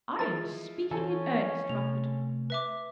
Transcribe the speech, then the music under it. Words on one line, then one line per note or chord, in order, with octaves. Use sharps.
I am speaking in earnest, Rufford.
F3 G#3 E4 A6
E3 C4 C#4 A4 G#5
C3 A3 F7
B4 E5 D6